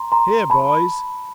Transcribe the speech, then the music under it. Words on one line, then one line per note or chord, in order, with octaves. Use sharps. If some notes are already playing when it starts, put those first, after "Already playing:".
Here, boys!
Already playing: A#5 C6
A#5 C6
A5 B5